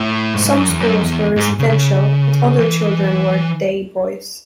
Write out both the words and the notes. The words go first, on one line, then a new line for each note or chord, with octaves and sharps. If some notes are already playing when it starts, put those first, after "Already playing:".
Some schools were residential but other children were 'day-boys'.
Already playing: A2
G#2
G#2
F#2
E2
F#2
E2
G#2
C#3
C#3
E3